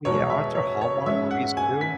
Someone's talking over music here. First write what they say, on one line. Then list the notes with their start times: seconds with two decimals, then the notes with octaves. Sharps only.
Oh, yeah, aren't there Hallmark movies, too?
0.05 E2 B2 G#3 C#5
0.30 E5
0.55 C#5
0.81 C#5
1.06 G#2 G#3 C#4 E5
1.31 F#5
1.57 G#5
1.81 B6